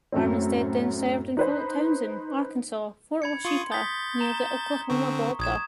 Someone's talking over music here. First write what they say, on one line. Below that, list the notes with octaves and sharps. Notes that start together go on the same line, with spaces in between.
Armistead then served in Fort Towson, Arkansas, Fort Washita near the Oklahoma border.
F#2 A2 C4
D#4 B4 C5
B5 G#6 C#7
F4 C6 C#6 D#6
D#6 G6 A6 B6
A#5 E7 G7
D3 C4 C#6
A#1 D#6 G#6 E7